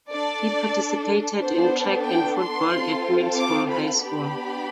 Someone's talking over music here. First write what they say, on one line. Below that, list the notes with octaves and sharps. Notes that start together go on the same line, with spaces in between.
He participated in track and football at Middlesboro High School.
D4 A4 D5
B3 D4 A4 C5
G5
C6
C4 F4 A4
D6
B5
B3 D4 G4 B5